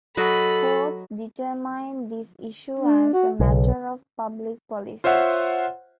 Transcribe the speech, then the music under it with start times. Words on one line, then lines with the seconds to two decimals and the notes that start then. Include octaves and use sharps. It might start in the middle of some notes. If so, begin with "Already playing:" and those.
Courts determine this issue as a matter of public policy.
0.17 F#3 F#4 A4 D#5 B5
2.79 D4
3.13 F#4
3.40 B1 C#3
5.04 F4 C5 C#5 E5 F#5